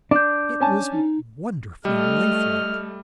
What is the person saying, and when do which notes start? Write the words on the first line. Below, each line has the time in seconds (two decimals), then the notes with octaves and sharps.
It was wonderfully life-like.
0.11 D4 D6 G6
0.60 C#4 G#5 A5
0.92 D#4
1.85 G3 A3 D#5 F6